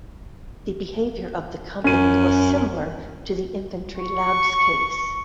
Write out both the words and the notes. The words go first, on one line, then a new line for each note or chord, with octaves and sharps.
The behaviour of the company was similar to the Infantry Labs case.
F#2 C#4 D#7
C#6